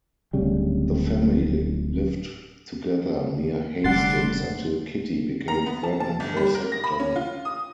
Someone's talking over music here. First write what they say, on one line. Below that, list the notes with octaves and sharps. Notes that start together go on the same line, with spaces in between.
The family lived together near Hastings until Kittie became pregnant for a second time.
D1 C#3 G3
F1 A2 D3 G3 D4 F#5 C6 A6
A#5
B3
A5
A5
G1
G3
A#4
A#6
B5
C#4
F4
D#6